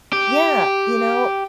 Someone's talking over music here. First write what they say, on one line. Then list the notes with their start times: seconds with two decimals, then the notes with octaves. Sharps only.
Yeah, you know
0.13 G4